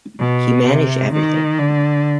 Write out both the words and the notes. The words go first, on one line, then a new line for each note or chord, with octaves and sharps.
He managed everything.
B2
C3
D#3
D3